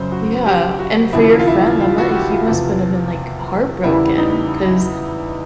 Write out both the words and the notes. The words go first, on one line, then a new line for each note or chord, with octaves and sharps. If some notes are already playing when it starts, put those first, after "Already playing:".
Yeah, and for your friend, that m he must been a been, like, heartbroken 'cause
Already playing: F#2 C#3 F#3 C5
F#4
G4
F#4
D#2 C#3 F3 E4
F4
E4
F4
F#4
F#4
G4
F4
E2 C3 F3
E2 C#3 E3 G3 E4
D#4